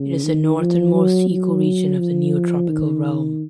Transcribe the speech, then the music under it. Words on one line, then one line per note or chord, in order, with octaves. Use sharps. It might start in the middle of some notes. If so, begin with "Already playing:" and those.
It is the northernmost ecoregion of the Neotropical realm.
Already playing: C#3
D#3
F3
F#3
F#3
F3
D#3